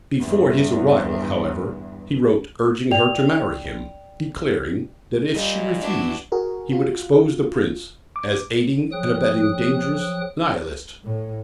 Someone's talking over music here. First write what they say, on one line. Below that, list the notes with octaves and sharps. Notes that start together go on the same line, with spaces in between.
Before his arrival, however, he wrote, urging her to marry him, declaring that if she refused, he would expose the Prince as aiding and abetting dangerous Nihilists.
E2 G2
D5 G5 F7
A#2 G3 D#5
D4 E4 F#4 B4
F#4 G#4 A#4
F4 F#4
D6
F3 F#3 G#4 G5 D#6 F#6
A2